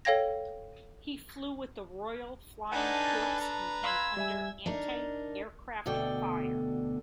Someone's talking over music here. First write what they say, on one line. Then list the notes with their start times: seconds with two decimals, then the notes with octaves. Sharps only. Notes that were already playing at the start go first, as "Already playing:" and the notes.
He flew with the Royal Flying Corps and came under anti-aircraft fire.
0.05 A4 C#5 F5 G5 G#6 A#6
2.72 D4 D#4 A4 B4 F#5 G#5
3.05 A6
3.40 B4 A#5
3.84 F5 B5 C6 E6 G#6
4.17 G3 E5 G#5
4.66 D4 D#4 A#4
5.86 D2 B2 D3 D5 G5